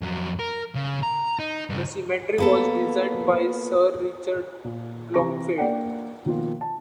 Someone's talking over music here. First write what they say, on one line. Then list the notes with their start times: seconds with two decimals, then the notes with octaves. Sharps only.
The cemetery was designed by Sir Richard Blomfield.
0.02 F2 F#3
0.39 A#4
0.75 C#3
1.03 A#5
1.39 D#4
1.69 G2 C#3
2.38 A#3 B3 A4
4.64 A#2
5.14 C3 E3 G4 A#5 C#6 A#6
5.58 A#3 D4 D5 F#5 G5
6.25 B2 D#3 F3 A#3 F4
6.61 A5